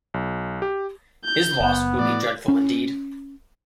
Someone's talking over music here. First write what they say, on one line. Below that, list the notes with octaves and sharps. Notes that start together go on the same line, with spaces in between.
His loss would be dreadful indeed.
B1
G4
G6
F#1 B3
A2 D5
C#4